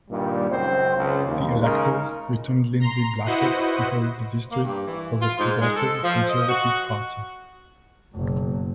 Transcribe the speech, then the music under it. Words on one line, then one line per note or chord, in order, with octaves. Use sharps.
The electors returned Lindsay Blackett who held the district for the Progressive Conservative Party.
G2 A#2 D#3 G3
C#2 F#2 C4 C5
C#2 C#3
D#2
C#3 G#3 D#4 A#4
A#5 C6 C7
E4 F#4 B4 C5 D#5 F#5
A#3
G2
E3
F4
G#2
G#3
A4
F3
D#5
F#4
F#1 B2